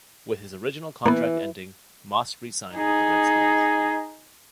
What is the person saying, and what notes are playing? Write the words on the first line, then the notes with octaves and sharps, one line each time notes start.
With his original contract ending, Moss re-signed with the Redskins.
E3 A#3 B3
D#4 G#4